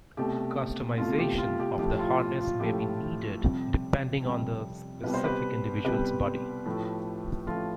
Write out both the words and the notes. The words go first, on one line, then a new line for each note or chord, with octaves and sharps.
Customization of the harness may be needed depending on the specific individual's body.
C2 B2 A3 G4
C2 B2 A3 F4
G4
F4
G4
A2 F3 A3 G4
F4
F4
F4
A2 F3 A3 G4
F2 C3 G3
F2 C3 G3
C2 B2 G3 B4
C5
G4 B4
C2 B2 G3 G4 B4
A2 F3 A3
A2 F3 A3 F4